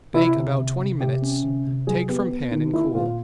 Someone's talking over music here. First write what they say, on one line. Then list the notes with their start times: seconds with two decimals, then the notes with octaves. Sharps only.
Bake about twenty minutes, take from pan and cool.
0.13 C3 E4
0.36 C3
0.58 C3
0.79 C3
1.00 C3 G4
1.22 C#4
1.43 C3
1.66 C3
1.87 F#3 G#4
2.08 B3 G4
2.31 B3
2.51 D#3
2.73 A#3 E4
2.95 A#2 F4